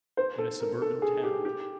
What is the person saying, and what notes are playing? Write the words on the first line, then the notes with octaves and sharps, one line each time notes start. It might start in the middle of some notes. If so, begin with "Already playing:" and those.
In a suburban town?
C5
A4
A#4
A4
G#4
G4
G4